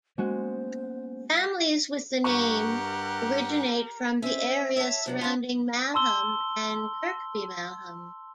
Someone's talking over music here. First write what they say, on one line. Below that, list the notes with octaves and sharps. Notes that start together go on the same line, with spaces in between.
Families with the name originate from the area surrounding Malham and Kirkby Malham.
G#3 A#3 B3 C#4 F#4 G#4 C5
G2 G4 A#4 F#5 C#6 F#6
C4 C#4 E5
C#5 E5 A5 E6
C3 F#3 D4
C4 C#4 F4 A5
A5 C6 E6 G7